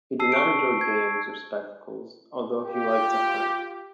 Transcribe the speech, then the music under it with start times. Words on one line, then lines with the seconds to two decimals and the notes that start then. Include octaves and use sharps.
He did not enjoy games or spectacles, although he liked to hunt.
0.20 A5 E6 C7
0.32 C#6 D7
0.81 G#6
2.65 F4 G4